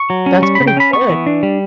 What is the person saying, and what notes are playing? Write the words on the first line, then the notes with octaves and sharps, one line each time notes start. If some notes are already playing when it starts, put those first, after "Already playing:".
That's pretty good.
Already playing: C#6
F#3
C#4
G3 C#6
C#3 B5
G5
C#4 B5
B3 C#6
E3
D4
G3